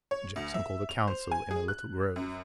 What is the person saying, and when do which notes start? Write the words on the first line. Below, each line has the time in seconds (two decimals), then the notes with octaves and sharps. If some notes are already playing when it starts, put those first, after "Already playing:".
Jackson called a council in a little grove.
0.11 C#5
0.36 D2
0.54 E5
0.89 F7
1.08 C5
1.31 G#5
1.51 G#4
1.68 F#6
2.16 F#2